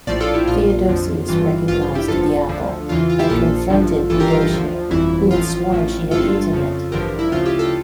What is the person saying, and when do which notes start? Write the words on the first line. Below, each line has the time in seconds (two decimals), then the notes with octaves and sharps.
Theodosius recognized the apple and confronted Eudocia who had sworn she had eaten it.
0.07 A#1 A2 F3 D5 F5
0.20 F4 A4
0.34 E4 G4
0.47 A#1 A#2 F3 F4
0.88 F2 D3 F3
1.28 G1 G2 E3 F4
1.68 A1 G2 F3 F4
1.82 F4
1.95 E4 G4
2.08 G1 F2 D3 F3 F4 A4
2.49 D2 D3 F3
2.89 E2 C#3 E3 F4
3.10 F4
3.19 E4 G4
3.30 A#1 A#2 F3 F4 A4
3.70 A1 G2 D3 F3
4.10 G1 G2 E3 F4 A4
4.20 G4 A#4
4.30 F4
4.41 F4
4.50 D2 D3 F3
4.90 G1 F2 E3 E4
5.31 A1 A2 F3 F4
5.71 A1 A2 F3
6.11 G1 G2 D3 F4 A4
6.52 F2 C#3 F3
6.92 A1 G2 D3 F3 G4 A#4
7.19 E4
7.32 D2 C#3 F3 F4
7.45 E4 G4
7.59 F4 A4